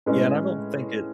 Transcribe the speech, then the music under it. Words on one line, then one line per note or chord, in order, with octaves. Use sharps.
Yeah, and I don't think it
A2 G#3 C#4 B4